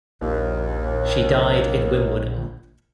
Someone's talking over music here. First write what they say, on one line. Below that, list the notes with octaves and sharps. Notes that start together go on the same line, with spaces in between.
She died in Wimbledon.
A#1 D#2